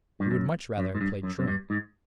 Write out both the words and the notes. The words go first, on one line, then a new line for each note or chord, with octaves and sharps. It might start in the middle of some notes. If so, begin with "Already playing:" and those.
He would much rather have played truant.
G2
F#2
F#2
G#2
G2
F#2
F#2
G2
G#2